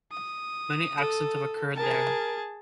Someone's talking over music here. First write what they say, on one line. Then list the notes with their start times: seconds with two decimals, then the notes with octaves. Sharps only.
Many accidents have occurred there.
0.12 D#6
0.99 A4
1.76 G#4 A#4 A5